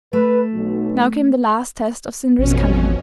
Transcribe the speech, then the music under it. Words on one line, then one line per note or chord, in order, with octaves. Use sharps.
Now came the last test of Sindri's cunning.
A3 B4
B1
A1 F2 B2 C#4